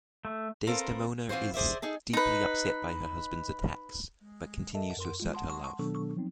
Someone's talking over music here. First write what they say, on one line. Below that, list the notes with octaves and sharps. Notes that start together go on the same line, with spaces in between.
Desdemona is deeply upset by her husband's attacks but continues to assert her love.
A3
B3 C4 F4 A4 A#4
E3 C4 F4 F#4 C5
G#4 C5 D5 E5
D#4 G#4 A4
D#4 B4
A4 A#4 D#5 E5 A5
F#2 A#4 C6
G#3 F4
F#5 A5 C6
B2 D#3 F#3 B3 D4 A4
F3 F#3 B3 C4 D#4